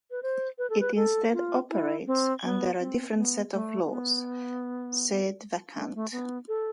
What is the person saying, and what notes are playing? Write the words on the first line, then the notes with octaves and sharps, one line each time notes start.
It instead operates under a different set of laws "sede vacante".
B4
C5
B4
A4
B4
A4
F4
E4
C4
B3
C4
B3
A3
C4
B3
A3
A3
B3
A4